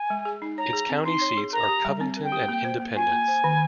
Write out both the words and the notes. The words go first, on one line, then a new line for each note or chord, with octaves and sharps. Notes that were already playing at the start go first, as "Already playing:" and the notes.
Its county seats are Covington and Independence.
Already playing: G#5
G#3
G#4
D#4
C#5 A#5
G#4
C4
D#4 C6
C#5
G#4
A#4 A#5
G4
G3
C4
A#4
G5
G4
A#3
C5
A#3
F4 G#5
A#3
C5
D#3